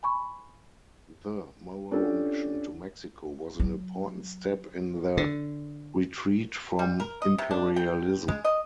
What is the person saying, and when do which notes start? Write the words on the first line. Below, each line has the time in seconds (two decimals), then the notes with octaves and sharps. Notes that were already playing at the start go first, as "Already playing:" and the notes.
The Morrow Mission to Mexico was an "important step in the 'retreat from imperialism'".
0.03 G#5 B5 C#6
1.91 C#4 D4 F4 G4 A4
3.60 F#3
5.17 D3
6.79 G3
7.00 A#4
7.22 D#5
7.38 C3
7.51 D4
7.76 G5
8.28 G#3
8.45 D#5